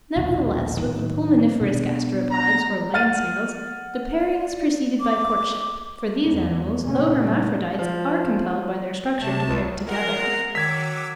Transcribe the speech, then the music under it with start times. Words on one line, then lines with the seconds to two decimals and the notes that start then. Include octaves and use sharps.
Nevertheless with the pulmoniferous gasteropods, or land-snails, the pairing is preceded by courtship; for these animals, though hermaphrodites, are compelled by their structure to pair together.
0.16 A#1 D#2 B2
0.81 A2 D#3 F#3
1.61 B2 D4
2.31 A#5
2.94 F#5 F6 A6 D#7
4.18 D5
5.00 D6
6.23 E2
6.80 A#2 C#3 A3 C#4
7.19 G3 A3
7.79 F3
9.21 C3 A3 A5
9.46 C#2
9.87 G#3 A#4 F#5 C7
10.55 D#3 F#3 D6 E6 G#6 B6